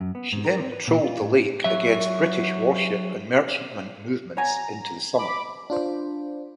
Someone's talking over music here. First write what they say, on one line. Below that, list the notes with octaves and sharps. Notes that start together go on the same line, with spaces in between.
She then patrolled the Lake against British warship and merchantmen movements into the summer.
F#2
B3
G#2
A#4
C4
B4
A#2
F4
A2
F#3 E5
C#5 F#5 G#5 A#5
B5 D6
D4 F4 C5